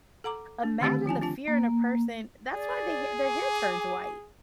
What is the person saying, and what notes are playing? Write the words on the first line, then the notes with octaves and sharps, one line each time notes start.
Imagine the fear in a person that's why they hair their hair turns white.
A4 F#5 A#5 D6
D4
D3 D#3 A3 C4 G4 F#5
F3 F4 G#5 A5
D4 F4 A5
A#3
G#4 D5
G#5 D6